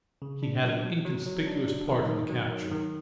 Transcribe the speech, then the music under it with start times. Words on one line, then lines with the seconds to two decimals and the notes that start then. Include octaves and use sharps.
He had an inconspicuous part in the capture.
0.22 C#3
0.43 D4
0.63 F#3
0.84 F#3
1.05 F#3
1.26 F#3
1.47 D4
1.67 F#3
1.87 D#3
2.09 D#3
2.29 F#3
2.50 D#3
2.72 D#3